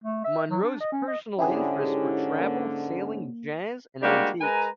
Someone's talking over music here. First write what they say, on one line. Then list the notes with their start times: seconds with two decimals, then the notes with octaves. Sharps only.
Munrow's personal interests were travel, sailing, jazz and antiques.
0.04 A3
0.24 E5
0.51 F#3
0.63 D4
0.81 D#5
0.92 C#4
1.08 D#5
1.39 G#2 D3 C#4 E4 G4 G#4
2.40 A#3
4.02 G3 G#3 A#3 D4 F#4 G4
4.41 G#3 A#4 B4 G#5 A#5